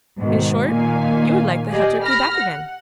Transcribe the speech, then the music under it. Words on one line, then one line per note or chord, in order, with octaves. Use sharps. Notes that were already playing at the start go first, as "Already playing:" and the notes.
'In short, you would like the Heptarchy back again.
G#2 B2 D#3
A#2 D#3 A#3 F5 G#5
G4 G#4 D5 D#5
B5 F6 A#6
F#5